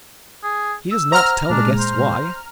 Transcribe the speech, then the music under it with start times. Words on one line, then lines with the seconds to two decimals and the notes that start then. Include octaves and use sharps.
He does not tell the guests why.
0.44 G#4
0.92 E6
1.12 C5 F#5 A#5 F6
1.50 A#2 G#3 D4 G#4
1.79 C5